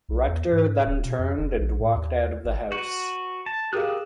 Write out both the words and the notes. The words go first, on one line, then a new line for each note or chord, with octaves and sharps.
Rector then turned and walked out of the house.
B1
E2
G#2
D#1
B2
F2
F1
A#1
A2
D#2
G#1
F#4 B4
A5
G4 G#4 A#4 F5 D#6 E6 F#6